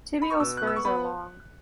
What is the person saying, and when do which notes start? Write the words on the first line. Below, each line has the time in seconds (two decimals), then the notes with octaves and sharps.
Tibial spurs are long.
0.22 B5
0.30 C#6
0.40 B2 E6
0.57 F#6
0.63 B3 E6
0.76 C#6
0.85 B3 B5